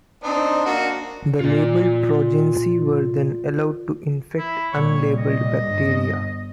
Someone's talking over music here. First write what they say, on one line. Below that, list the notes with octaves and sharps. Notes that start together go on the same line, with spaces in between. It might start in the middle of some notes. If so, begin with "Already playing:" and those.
The labeled progeny were then allowed to infect unlabeled bacteria.
C4 D4 D#4
A#3 F#4
A#2 F4 D5
E4
A#2 G3 C#5
D#5
G1 G2